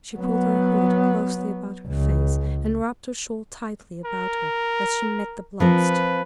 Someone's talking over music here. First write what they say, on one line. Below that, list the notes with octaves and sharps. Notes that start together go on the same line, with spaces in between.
She pulled her hood closely about her face, and wrapped her shawl tightly about her as she met the blast.
F#3 B3
C#2
A#4
F3 C4 A#4 B4